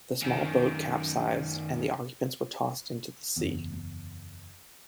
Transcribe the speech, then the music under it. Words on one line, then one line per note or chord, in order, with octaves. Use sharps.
The small boat capsized and the occupants were tossed into the sea.
F#2 D#3
F#1 E2